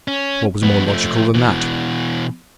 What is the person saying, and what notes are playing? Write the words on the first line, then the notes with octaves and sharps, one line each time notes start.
What was more logical than that?
C#4
F2 B3
F3 A3
B2 E3